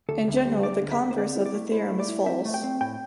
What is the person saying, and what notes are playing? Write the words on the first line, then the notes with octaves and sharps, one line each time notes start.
In general, the converse of the theorem is false.
D2 A4
D2
C5
G3
D2 D5
D3
E5
D2
C5
C4 D5
E4
D5
A3
E4 C5
A3
D5
E4
C4 E5
A3
G5
C4
A2 G5